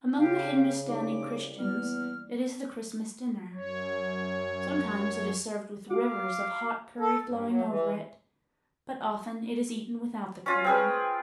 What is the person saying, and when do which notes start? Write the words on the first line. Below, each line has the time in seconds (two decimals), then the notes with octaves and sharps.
Among the Hindustani Christians it is the Christmas dinner. Sometimes it is served with rivers of hot curry flowing over it, but often it is eaten without the curry.
0.19 C#3 G4 F5
0.88 C2 D#4 D6
1.59 E2 G3 A#3 D5 F6
3.53 F#2 C#5
5.90 F#4 F5 D6
7.00 A4
7.26 G2
7.46 F#3
7.68 E3
10.46 C#4 F4
10.64 C4 G#4 B4